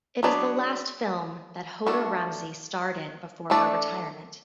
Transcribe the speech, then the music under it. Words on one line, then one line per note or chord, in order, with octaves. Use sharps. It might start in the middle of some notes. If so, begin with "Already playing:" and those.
It is the last film that Hoda Ramzi starred in before her retirement.
F#3 B3 D4 G#4 D5
A3 D4 F#4 A4
E3 A3 D4 A4 D5